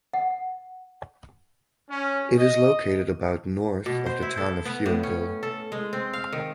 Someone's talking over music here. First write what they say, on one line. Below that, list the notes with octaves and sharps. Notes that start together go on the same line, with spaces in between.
It is located about north of the town of Huonville.
F#5
C#4
D#5
B2
C5
E4
A4
B3
A2
C#4
A4
G#3
C4
F5
D#3